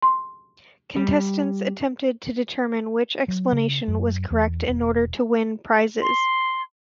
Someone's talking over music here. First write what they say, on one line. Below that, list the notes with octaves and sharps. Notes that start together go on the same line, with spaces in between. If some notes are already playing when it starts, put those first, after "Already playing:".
Contestants attempted to determine which explanation was correct in order to win prizes.
C6
G3
F#3
C#3
F#2
E2
E1
C6